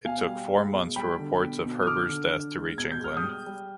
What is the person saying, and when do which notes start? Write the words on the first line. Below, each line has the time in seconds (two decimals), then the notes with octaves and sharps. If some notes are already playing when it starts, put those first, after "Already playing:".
It took four months for reports of Heber's death to reach England.
0.05 B2 F5 G#5
0.28 G3
0.51 G#3
0.73 B2
0.96 G3 G5 B5
1.20 D3
1.42 B2
1.65 B2
1.83 D#6
1.87 D3 D6 F6
2.09 D3
2.33 D3
2.56 G#3
2.78 B2 G#6
2.92 G6
3.00 G#3 F6
3.17 D#6 G6
3.24 G3
3.46 G3